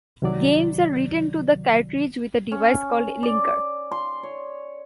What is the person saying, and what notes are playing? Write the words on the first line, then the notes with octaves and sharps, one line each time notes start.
Games are written to the cartridge with a device called "linker".
C2 C3 D#3 F#3 D5
C#4
D5
C6
C#5